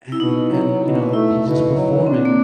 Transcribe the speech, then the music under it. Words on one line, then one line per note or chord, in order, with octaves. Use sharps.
and and, you know, he's just performing,
E4
B2 D#4
F#3
B2
A3 E4
B2
F#3
C4 D4
A#3